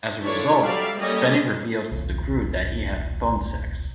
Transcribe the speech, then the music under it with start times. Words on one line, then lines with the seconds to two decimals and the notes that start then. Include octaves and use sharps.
As a result, Spenny reveals to the crew that he had phone sex.
0.23 D#3 D4 E4 F4 A4 C#5
0.62 F#3 G3 A4 D5 E5 F5
0.98 G3 A#3 C#4 G4 A4 D#5
1.91 D#1 B1